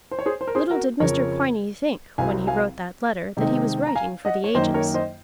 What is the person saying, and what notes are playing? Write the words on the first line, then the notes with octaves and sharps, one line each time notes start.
Little did Mr. Quiney think, when he wrote that letter, that he was writing for the ages.
C5
C#5
G#4 C5
C5
A#4
G#4 C5
F#4 A#4
F2 C#3 F3 A#4 C#5
C2 C3 F#3 C4 F5 G#5
F5 G#5
C3 D#3 G#3 C4 D#4
A#5
F5 G#5
D#5 F#5
C#5
F#2 D#3 A#3 D#4 C5 D#5
A#4 C#5
C5 D#5